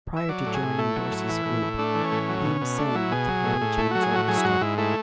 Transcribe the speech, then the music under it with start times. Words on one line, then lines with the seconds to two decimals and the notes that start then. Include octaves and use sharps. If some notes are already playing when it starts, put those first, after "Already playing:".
Prior to joining Dorsey's group, Haymes sang with the Harry James orchestra.
0.17 E5
0.29 F#3 D5
0.46 A2
0.54 G#4
0.62 A2
0.79 A3 E4
0.96 F#3
1.12 A2
1.29 E3
1.46 A2
1.62 A2
1.78 A3 D4
1.95 E3
2.04 C#4
2.12 A2
2.29 F#3
2.45 B2
2.61 B2
2.78 A3 D4
2.95 F#3 E4
3.12 B2 G#4
3.28 F#3
3.44 A2
3.61 A2
3.78 A3 E4
3.91 F#3 F#4
4.03 G#4
4.11 A2 F#4
4.28 F#3 G#4
4.37 E4
4.45 G#2 F#4
4.61 G#2 E4
4.78 A3 E4